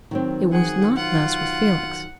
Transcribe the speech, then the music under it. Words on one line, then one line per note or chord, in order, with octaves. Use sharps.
It was not thus with Felix.
D#3 F#3 C4
G#4 F#5
F4 F#5